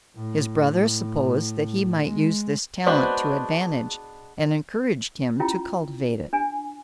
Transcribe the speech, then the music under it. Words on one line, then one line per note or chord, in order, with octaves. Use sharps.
His brother supposed that he might use this talent to advantage, and encouraged him to cultivate it.
A2
G#3
G#3 B3 D4 F#4 C5
C#4 E4 F4 G5
D4 G#5